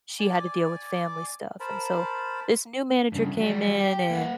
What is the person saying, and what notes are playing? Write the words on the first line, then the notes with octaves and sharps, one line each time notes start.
she had to deal with family stuff, and so this new manager came in, and
D5 G#5 D6
A#4 C5 A5 B5
G2 C#3
F#3 G3
G4
A#3 F#5